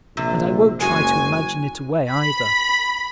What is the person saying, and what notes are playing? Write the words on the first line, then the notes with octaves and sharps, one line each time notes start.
And I won't try to imagine it away, either.
A#1 C3
F#1 G#3 F#4 G#5
B5